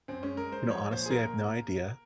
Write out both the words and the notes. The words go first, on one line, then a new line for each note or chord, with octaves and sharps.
You know, honestly, I have no idea.
F#2 C4
G#3 C#4
G#3 A#4
G#3 C5
F3 C#5
F3
A#2 C5
G#4
A#2 A#4
A#2